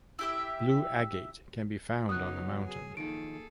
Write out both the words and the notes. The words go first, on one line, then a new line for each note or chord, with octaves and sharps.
Blue agate can be found on the mountain.
E4 G4 E5
C#3 F#3 B3 D#4 F#4 D#6 F#6
G#4
D#3 F3 A#3 D#4 G#4 A4 D7